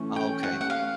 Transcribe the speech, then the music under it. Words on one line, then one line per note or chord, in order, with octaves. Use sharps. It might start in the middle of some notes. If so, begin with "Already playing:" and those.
Oh, okay.
Already playing: E3 A3 C#4
G5
F#5
F#5
F5